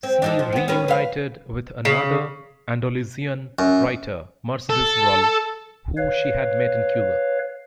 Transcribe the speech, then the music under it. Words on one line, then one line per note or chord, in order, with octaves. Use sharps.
She reunited with another Andalusian writer, Mercedes Rull, who she had met in Cuba.
C4
D4 D#4 A4
F3
B3 C4
C#4 A#4 B4
B4 F5
C#3
F#2
A4
B4 C#5 F5